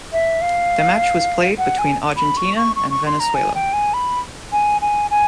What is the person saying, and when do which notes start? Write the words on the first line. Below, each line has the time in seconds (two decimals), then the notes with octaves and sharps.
The match was played between Argentina and Venezuela.
0.13 E5
0.41 F5
1.58 F#5
1.79 G#5
2.17 B5
2.37 C#6
2.57 C#6
2.76 C#6
2.90 C#6
3.06 C6
3.20 A#5
3.35 G#5
3.55 G5
3.73 G#5
3.94 B5
4.52 G#5
4.81 G#5
5.11 G#5